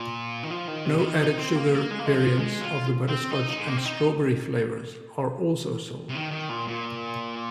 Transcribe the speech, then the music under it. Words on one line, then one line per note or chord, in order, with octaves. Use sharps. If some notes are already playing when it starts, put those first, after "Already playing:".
No-added-sugar variants of the butterscotch and strawberry flavours are also sold.
Already playing: A#2
D#3
F3
D#3
C3
C3
D#3
D#4
C4
A#3
A#3
G#3
A#3
G#3
F3
G#3
F4
C4
D#4
D#4
G#3
A#3
C4
D#4
C3
D#3
D#3
A#2
A#2